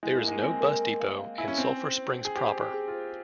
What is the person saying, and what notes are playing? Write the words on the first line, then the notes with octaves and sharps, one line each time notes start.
There is no bus depot in Sulphur Springs proper.
G#3 E4
A#3
F5
G#3
C4 G#5
A#4
G#5
F5
F5
E4 G#5
C#4
C4 C5
C5
C5
G5
G#4
G4 C5
C5
G4
G#4
F4
C5